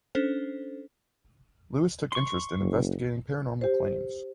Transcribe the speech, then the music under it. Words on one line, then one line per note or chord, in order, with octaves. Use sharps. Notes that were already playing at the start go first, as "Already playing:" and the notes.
Lewis took interest in investigating paranormal claims.
C#4 D4 A4 C5
C6 C#6
F#1
G4 C5